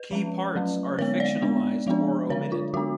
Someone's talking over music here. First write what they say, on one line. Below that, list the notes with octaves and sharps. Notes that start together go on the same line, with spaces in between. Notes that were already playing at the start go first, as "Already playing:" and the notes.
Key parts are fictionalized or omitted.
Already playing: B4
F3 G#3 C#4
F#3 A3 C#4
D3 G#3 B3 C#5
D5
G#3 B3 D4
F3 G#3 B3 D4
D3 G#3 D4 C#5
F4
D3 G#3 B3 D4 F#4